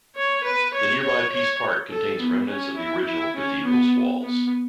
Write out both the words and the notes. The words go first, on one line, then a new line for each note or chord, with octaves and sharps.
The nearby Peace Park contains remnants of the original cathedral's walls.
C#5
B4
C#5
C#5
C#5
A4
B3
C#4
E4
E4
C#4
B3
B3